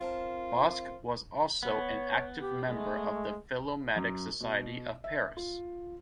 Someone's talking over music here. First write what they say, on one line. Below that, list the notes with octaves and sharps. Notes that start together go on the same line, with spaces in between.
Bosc was also an active member of the Philomatic Society of Paris.
C4 F4 A#4 A5
B3 C#5
G4
G#3 A3
F#2
B2
E5
F4